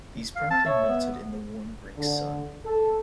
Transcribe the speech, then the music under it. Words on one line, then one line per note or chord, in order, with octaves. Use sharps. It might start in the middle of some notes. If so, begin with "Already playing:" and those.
These promptly melted in the warm Greek sun.
F5
C4 A5
C#5 E5
B3
D3
A4